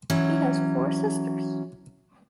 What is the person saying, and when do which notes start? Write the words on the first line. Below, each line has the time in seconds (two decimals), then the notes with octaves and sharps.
He has four sisters.
0.10 E3 F#3 C#4